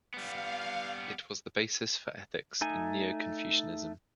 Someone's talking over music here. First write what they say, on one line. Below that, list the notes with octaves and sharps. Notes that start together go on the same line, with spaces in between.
It was the basis for ethics in neo-Confucianism.
G3 B3 F5
A3 D#4 G#5